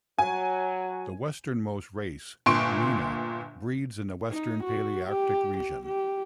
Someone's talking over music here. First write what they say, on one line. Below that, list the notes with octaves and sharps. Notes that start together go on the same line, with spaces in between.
The westernmost race, "meena", breeds in the Western Palearctic region.
F#3 G#5
G1 A#2 C6 C#6 D7
D#4
F#4
G4
G4
G4